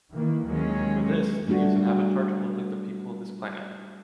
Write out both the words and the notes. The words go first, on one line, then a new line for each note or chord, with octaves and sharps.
For this, they use an avatar to look like the people of this planet.
D#3 E3 A#3
D#2 D#3 F#3 G#3 C#4
G3 A3 D4 F#4